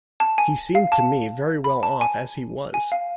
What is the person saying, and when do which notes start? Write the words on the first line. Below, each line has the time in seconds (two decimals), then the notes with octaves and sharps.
He seemed to me very well off as he was.
0.20 A5
0.38 G#5
0.75 F5
0.92 A5
1.64 B5
1.83 A5
2.01 G#5
2.74 G#5
2.92 F5